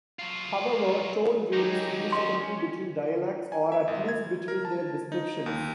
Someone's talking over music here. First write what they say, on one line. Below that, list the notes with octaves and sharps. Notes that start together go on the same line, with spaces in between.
However, tone varies significantly between dialects, or at least between their descriptions.
F#3 F4
D#3 F#3 G#3 D#4 G4
C#4 D#5 C6
G#5
E5
G#1
G#6
A#4
A5
D#4
D#2